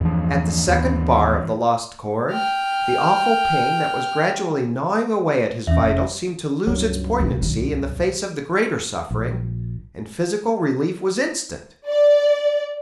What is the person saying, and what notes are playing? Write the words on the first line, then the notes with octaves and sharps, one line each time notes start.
At the second bar of the 'Lost Chord' the awful pain that was gradually gnawing away at his vitals seemed to lose its poignancy in the face of the greater suffering, and physical relief was instant.
E2 G2 E3 F3 D4
D#2 B3
G5 F6
E2 C#4 E5
F1
C#2 G2 F#3 E4
C2 A#2
B1 D#3
A#1
D5